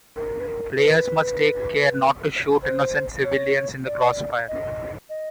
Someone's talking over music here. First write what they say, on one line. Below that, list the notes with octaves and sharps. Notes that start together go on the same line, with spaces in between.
Players must take care not to shoot innocent civilians in the crossfire.
A#4
B4
A#4
B4
C5
C#5
D5
D#5
D#5